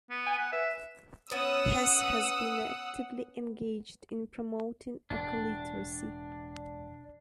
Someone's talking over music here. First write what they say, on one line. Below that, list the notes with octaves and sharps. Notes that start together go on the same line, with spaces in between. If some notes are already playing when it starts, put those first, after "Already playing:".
Hass has been actively engaged in promoting ecoliteracy.
B3
G#5
F#5
B4 E5
B3 C#4 F#5 D#6 E6
E1 A2 D4